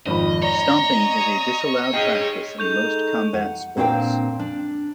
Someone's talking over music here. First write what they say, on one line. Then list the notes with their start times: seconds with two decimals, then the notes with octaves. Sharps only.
Stomping is a disallowed practice in most combat sports.
0.06 G#1 F2 D#5 B5
0.42 C#5 D5 A#5
1.94 G#4 C5 D#5 G5 F6
2.59 G#3 D#4 A4 C#6 G6 F7
3.34 F#5
3.77 A#2 C4 D4 C5 F5 G5
4.39 D4